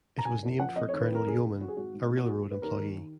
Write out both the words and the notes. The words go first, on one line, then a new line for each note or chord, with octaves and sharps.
It was named for Colonel Yeoman, a railroad employee.
A#5
F#1 G#5
F#1
F3 F#5
F2 D#5
D#3 C#5
B4
F2 A#4
F#1 G#4
F#1
F#3 F#4
G#4
G#1 F#4
G#2
A#3
F#4
D#2 G#4
D#2
B4
D#2 A#4
D#3